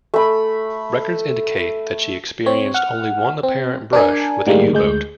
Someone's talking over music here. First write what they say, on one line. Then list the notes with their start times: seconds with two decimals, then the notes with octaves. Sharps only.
Records indicate that she experienced only one apparent brush with a U-boat.
0.14 A3 B5
2.46 C4 C#5
2.74 F#5 F6
3.43 C4
3.93 D4 A#4 G#5
4.46 A2 D#3 G3 G#3 A#3
4.73 D2 G#3 G6